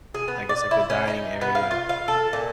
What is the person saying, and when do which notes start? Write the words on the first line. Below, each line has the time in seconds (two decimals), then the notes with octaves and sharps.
I guess, like, the dining area
0.14 G#4
0.28 B3
0.49 D5
0.71 E4
0.90 C#4
1.08 D#4
1.41 B3
1.55 F5
1.71 F4
1.89 F5
2.08 A4
2.33 A#2